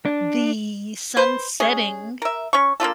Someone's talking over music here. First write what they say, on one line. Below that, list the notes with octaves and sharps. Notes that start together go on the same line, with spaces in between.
the sun setting
D4
B4 C5
G#3 C#4 G#4
A#4 E5
C#4 C#6
A#3 D4 F4 A4